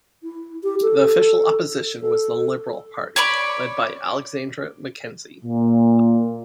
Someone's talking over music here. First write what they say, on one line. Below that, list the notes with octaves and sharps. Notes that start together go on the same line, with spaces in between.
The Official Opposition was the Liberal Party, led by Alexander Mackenzie.
E4
G4
A4
A4
C#5 D5 B5
A#2